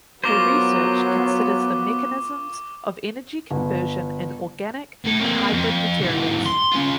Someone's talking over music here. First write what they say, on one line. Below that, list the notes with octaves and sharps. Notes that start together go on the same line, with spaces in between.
Her research considers the mechanisms of energy conversion in organic and hybrid materials.
F#3 B3 F4 A#4 C5 C#6 D6 G7
G1
A2 A4
A#3 C4
F2
G#2 E3
C6
C#4 F4